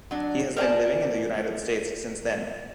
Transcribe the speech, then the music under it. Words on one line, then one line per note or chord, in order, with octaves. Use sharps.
He has been living in the United States since then.
F#3 D4
A#4 C5 D5 F5 G#5 A5